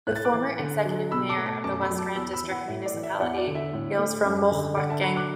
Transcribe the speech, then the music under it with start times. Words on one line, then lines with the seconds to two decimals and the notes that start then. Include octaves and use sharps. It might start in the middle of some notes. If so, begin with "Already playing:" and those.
The former Executive Mayor of The West Rand District Municipality hails from Mohlakeng.
0.07 A2 F#6
0.16 A6
0.25 D6 F#6
0.33 E3
0.59 D3
0.85 F#3
1.11 B2 B5 E6
1.29 A5 D6
1.37 A3
1.46 A5 D6
1.64 F#2 A5 D6
1.81 B5 E6
1.90 F#3
1.98 A5 D6
2.16 E2 B5 E6
2.33 B5 E6
2.43 E3
2.51 F#5 B5
2.68 A2 E5
2.86 D5
2.94 E3
3.03 E5
3.15 E5
3.20 E2 D5 F#5
3.38 D5
3.47 D3
3.55 E5
3.73 A2
3.98 A3
4.25 F#2
4.52 D3
4.77 D3 D5 F#5
4.90 E5 A5
5.03 F#3 F#5 B5
5.16 D6 F#6